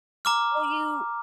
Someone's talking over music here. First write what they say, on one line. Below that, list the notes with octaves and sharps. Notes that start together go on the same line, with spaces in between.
Well, you
A#5 D6 F6